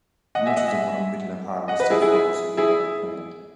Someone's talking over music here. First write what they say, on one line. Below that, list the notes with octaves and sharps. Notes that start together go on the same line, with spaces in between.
Much of the modern Midland Highway still follows the route that he planned.
D#5 F#5
E5 G#5
D#5 F#5
E5 G#5
D#5 F#5
B4 D#5
E4 G#4
E4 G#4
E4 G#4